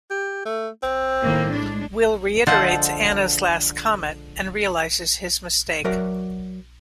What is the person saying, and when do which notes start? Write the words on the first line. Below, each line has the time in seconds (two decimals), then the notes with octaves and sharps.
Will reiterates Anna's last comment and realizes his mistake.
0.10 G4
0.45 A3
0.83 C4
1.23 A2 D#3 A#3
1.52 G#3 D4
2.47 D3 F3 G#3 A4 C5 F#5
5.84 F#3 F#4 A#4 D5 E5 F#5